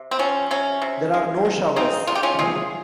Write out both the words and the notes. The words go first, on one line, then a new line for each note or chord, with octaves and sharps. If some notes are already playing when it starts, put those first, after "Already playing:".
There are no showers.
Already playing: C3
C4
F3 C#4
C3 C#4
C3
G#3
D#3
C#3 C4 D#4
C#3 F4
G4
C#4 F4
C3 F4 G#4